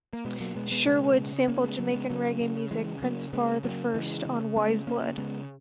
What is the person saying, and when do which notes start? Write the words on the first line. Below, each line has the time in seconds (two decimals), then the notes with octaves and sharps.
Sherwood sampled Jamaican reggae musician Prince Far I on "Wise Blood".
0.13 A#3
0.25 B2 G#3 B3
0.41 F#3 A#3
0.55 B2 G#3 B3
0.71 G#3 B3
0.86 C#3 G#3 B3
1.17 C#3
1.48 C#3 A#3 C#4
1.63 G#3 B3
1.79 C#3 F#3 A#3
1.94 G#3 B3
2.10 C#3 F#3 A#3
2.41 C#3
2.71 C#3 E3 G#3
3.02 C#3 F#3 A#3
3.33 C#3 G#3 B3
3.63 C#3 F#3 A#3
3.94 C#3 E3 G#3
4.25 C#3
4.56 C#3 G#3 B3
4.87 C#3 A#3 C#4
5.18 C#3 G#3 B3